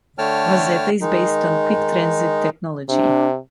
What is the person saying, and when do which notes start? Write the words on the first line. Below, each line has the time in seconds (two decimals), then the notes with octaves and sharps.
Rosetta is based on QuickTransit technology.
0.18 D3 A3 C#5 G5 A5 F6
1.01 D#3 G#3 D#4
2.89 C3 D4